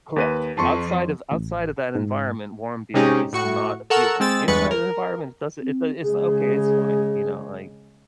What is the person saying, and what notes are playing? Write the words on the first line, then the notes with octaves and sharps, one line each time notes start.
Correct, outside of outside of that environment, warm beer is not appealing, inside the environment, it doesn't it do it's not okay, it's fine, you know, like
D#2 B4 D#7
F2 A5 C6 C#6
A1
G#2
C3 G#3 C#4 D#4 G4 G#4
A2 F#4 C#6
A4 A#4 F#5 C#6 E6
G#3 C4 E6 A6
G1 E2 G#3 B4 C#6 A6
A#4
C4
C#3 G#3 G#4